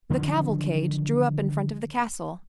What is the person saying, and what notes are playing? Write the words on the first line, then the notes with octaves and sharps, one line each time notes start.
The cavalcade drew up in front of the castle.
D3 D#3 F3 F#3